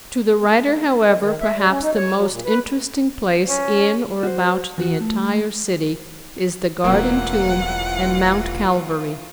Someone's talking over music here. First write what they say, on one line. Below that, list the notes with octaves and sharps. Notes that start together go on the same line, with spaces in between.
To the writer, however, perhaps the most interesting place in or about the entire city is the Garden Tomb and Mount Calvary.
G#3
D#3
E5
G3
C#4
D#4
C#5
F#3
A#2
B4
C#4
F#4 C5
E2 F#4
A3
E1 E3 F#3 A3 A#3 C4 F4 F#5